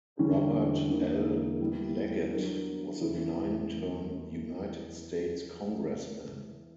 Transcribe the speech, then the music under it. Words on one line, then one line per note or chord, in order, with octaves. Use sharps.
Robert L. Leggett was a nine-term United States Congressman.
E2 D3 G3 C#4
E2 D3 A#3 E4
E3 G3 B3 E4
F#3 B3 D4 A#4
E2 C#3 E3 B3 E4